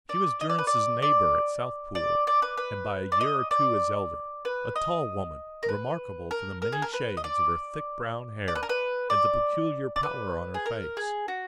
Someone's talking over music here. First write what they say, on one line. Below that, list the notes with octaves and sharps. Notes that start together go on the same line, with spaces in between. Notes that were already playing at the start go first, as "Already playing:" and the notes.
She was Durrance's neighbour at Southpool, and by a year or two his elder--a tall woman, remarkable for the many shades of her thick brown hair and the peculiar pallor on her face.
D5
D#5
D5
B4
D5
D5
D5
D5
B4
B4
D5
D#5
D5
B4
D#5
A#4
B4
A#4
A#4
G#4
A#4
B4
D#5
D5
D5
B4
A#4
B4
D5
D5
B4
G#4
A#4
G#4
F#4